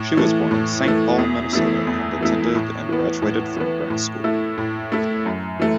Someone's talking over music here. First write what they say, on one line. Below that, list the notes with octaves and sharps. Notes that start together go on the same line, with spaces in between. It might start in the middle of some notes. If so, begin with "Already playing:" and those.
She was born in Saint Paul, Minnesota, and attended and graduated from Breck School.
Already playing: A2
E3 A3
A2
E3 A3
E2
E3 A3 E4
E2
E3 A3 E4
A2
E3 B3
A2
E3 B3
A2
A3 E4
A2
A3 E4
F#2
E3 A3